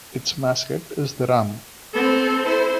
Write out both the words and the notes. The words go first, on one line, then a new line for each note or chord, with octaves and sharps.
Its mascot is the ram.
C4 A4
E4 C5